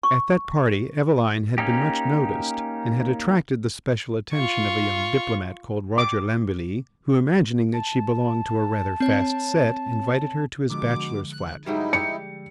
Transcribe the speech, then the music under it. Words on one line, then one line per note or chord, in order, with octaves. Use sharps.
At that party Eveline had been much noticed and had attracted the special attention of a young diplomat called Roger Lambilly who, imagining that she belonged to a rather fast set, invited her to his bachelor's flat.
C#6
A#3 C#4 D#4 G4
F4 C#6
D6
A5
C4 C#5
B2 D3 F3 G#3 D6
F#6
G#2 F#3 G3 D#4 E4
G4 C#7